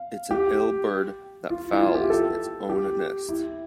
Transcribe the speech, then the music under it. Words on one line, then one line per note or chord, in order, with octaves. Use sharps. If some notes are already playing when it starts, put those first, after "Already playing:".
It's an ill bird that fouls its own nest.
Already playing: F5
G4
F4
E4
F4
G4
A4
G4
E4